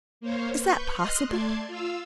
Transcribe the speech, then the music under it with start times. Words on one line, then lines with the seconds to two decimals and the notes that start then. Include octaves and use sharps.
Is that possible?
0.21 A#3 C5 C#5 F5
0.59 B4 C#6 G6
0.97 D#5 C6 F6 F#6
1.27 A3 D5 A5 C6 G#6
1.67 F4 F5 E6